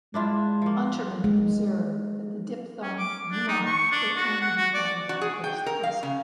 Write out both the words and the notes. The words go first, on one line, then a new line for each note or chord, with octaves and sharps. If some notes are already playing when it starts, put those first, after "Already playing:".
Untermann observed that the diphthong "ui" could only be found in the first cluster.
G#3 D4 E4 F4
F3 A#3
G#3
C#4
D6
D4
D#4
C#6
D4
F#4
F#5
F#4
D5
F#4
G#4
G5
A#4
F5
C#3